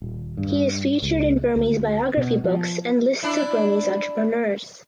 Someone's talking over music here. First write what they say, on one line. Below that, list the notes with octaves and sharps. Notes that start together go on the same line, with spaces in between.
He is featured in Burmese biography books and lists of Burmese entrepreneurs.
D#1
G2
C#2
D2
B2
F3
D4 E4